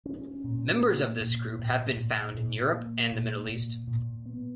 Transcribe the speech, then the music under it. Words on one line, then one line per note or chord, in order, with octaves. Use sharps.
Members of this group have been found in Europe and the Middle East.
C#4
A#2
A#3
A#2
A#2
A#2
A#2
A#3
A#2
A#2
A#2
B3